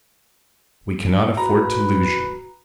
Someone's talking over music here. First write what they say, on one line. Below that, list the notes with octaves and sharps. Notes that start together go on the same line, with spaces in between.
We cannot afford to lose you.
F#4 B4 A#5